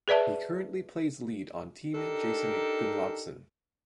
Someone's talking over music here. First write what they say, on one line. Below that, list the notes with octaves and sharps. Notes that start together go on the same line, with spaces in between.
He currently plays lead on Team Jason Gunnlaugson.
G#4 B4 D5 E5 A5
D4 D#4 G4 A4 A#4